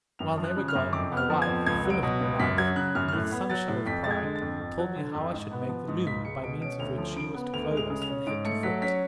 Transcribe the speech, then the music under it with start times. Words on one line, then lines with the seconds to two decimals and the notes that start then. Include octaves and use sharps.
While they were gone, my wife, full of new life, and with some show of pride, told me how I should make the loom by means of which she was to clothe us from head to foot.
0.19 F#2 F7
0.37 F3
0.44 F#6
0.57 C#3
0.68 F6
0.75 F#2
0.93 F2 D6
1.12 B3
1.17 F6
1.30 F3
1.42 G#6
1.47 F2
1.66 C#2 G#6
1.85 F#3
1.90 D7
2.03 B2
2.21 C#2
2.39 F#2 B6
2.58 F#3 G#6
2.76 C#3 F#6
2.95 F#2 F6
3.08 F6
3.12 A2 F#6
3.32 B3
3.49 F#3 A6
3.68 A2
3.86 F2 B6
4.04 G#3 A6
4.11 G#6
4.23 D3
4.35 A6
4.42 F2
4.60 F2
4.78 F#3
4.96 D3
5.15 F2
5.33 G#2
5.51 B3
5.69 F3
5.88 G#2
6.06 C#2 B6
6.25 G#3 C#7
6.43 B2 D7
6.61 C#4 D7
6.80 D2 F7
6.98 F3
7.16 C#3 D7
7.35 B3
7.53 D2 F7
7.71 G#3
7.77 F7
7.90 C#3
8.02 F7
8.08 C#4
8.26 G#2 D7
8.45 A3 C#7
8.63 F#3 B6
8.82 C#4 B6